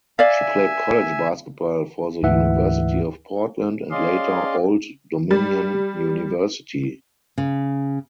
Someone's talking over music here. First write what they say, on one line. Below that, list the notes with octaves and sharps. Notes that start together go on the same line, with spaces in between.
She played college basketball for the University of Portland and later Old Dominion University.
D5 E5 F5 G#5
D2 G#2 E3 E5 F#5
C#4 G#4 D5 D#5 F5 C6
G3
C#3